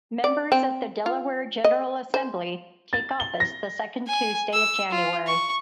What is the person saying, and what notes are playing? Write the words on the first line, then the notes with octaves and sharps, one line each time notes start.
Members of the Delaware General Assembly take office the second Tuesday of January.
D5
C4
F4
D#5
C5
A6
G7
A#6
G#5
E6
F4
C#6